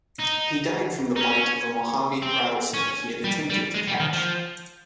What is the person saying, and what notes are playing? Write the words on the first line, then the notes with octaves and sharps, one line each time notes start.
He died from the bite of a Mojave rattlesnake he had attempted to catch.
D#4
D#4
C#4
C4
C#4
G3
G3
G#3
G3
D#3
F3